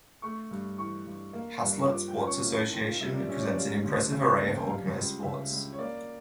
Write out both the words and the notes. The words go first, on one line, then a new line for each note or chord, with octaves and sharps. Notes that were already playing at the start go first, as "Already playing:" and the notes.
Haslet's Sports Association presents an impressive array of organized sports.
A3 C#6
G2
E3 C#6
G2
A#3
G2
F3 D6
G5
C#4
C#6
A#3
A5
A#2 G5
F5
G3 E5
D5
C#4 E5
C#5
D5
G3 F5
D2
C#3 E5
E5
A#3 E5
A5
G5
G3 F5
C#2
C#3 E5
C#2
C#5
A#3 D5